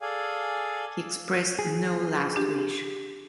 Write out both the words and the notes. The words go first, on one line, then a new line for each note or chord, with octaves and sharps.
He expressed no "last wish".
G#4 A4 D5 F5 G#5
G#4
D4 G4